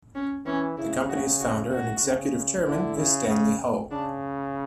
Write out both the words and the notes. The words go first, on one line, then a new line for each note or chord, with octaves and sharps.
The company's founder and executive chairman is Stanley Ho.
C#4
E3 C#4
C#3 E4
F#4
F#4
F#4
C#3
D3 E4
C#3
C#3
C#3 D4